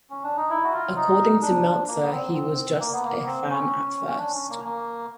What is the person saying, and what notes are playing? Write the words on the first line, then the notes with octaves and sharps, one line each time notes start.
According to Meltzer, he was just a fan at first.
C#4
D4
D#4
E4
F#4
F4
D#4
D4
A#3
B3
C4
C4
A#3
B3
A#3
C4
C#4
C#4
D4
C#4
A#3
A#3